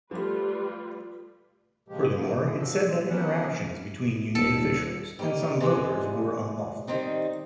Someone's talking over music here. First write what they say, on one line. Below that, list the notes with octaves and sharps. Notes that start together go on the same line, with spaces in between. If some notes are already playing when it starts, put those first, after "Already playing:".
Furthermore, it said that interactions between union officials and some voters were unlawful.
F3 G3 A3 F4 B4
A#2 C#3 F3 G#3 G4
A2 D3 D#3 F3 G3 A#3
A2 G#4
F3 F#4 A4
B2 G#3 C4
C3 F3 A#3 B3 C#4 F#5
D#1 A4
G3 A3 A#3 C4 D#4
C3 E3 F#3 G#3 D4
D#3 G3 C4 D#4